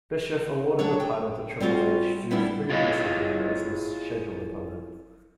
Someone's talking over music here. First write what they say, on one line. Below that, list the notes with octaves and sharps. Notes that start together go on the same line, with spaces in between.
Bischoff awarded the title to Triple H due to previously being Lesnar's scheduled opponent.
F#3 D4 C#5
G5
G3 C4 F4 F#4 G#4
G3 B3 C4 D4 E4
E4 F4 G#4 C#5 D#5 F5